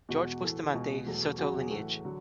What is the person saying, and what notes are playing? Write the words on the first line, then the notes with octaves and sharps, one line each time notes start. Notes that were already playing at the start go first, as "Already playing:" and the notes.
Jorge Bustamante, Soto lineage.
E2 B2 G#3 F#4
A2 E3 A3
C#2 B2 G#3 G#4
E2 B2 F#3 A3
E2 C#3 F#3 F#4
G#4
A2 E3 A3 F#4
D3 F#3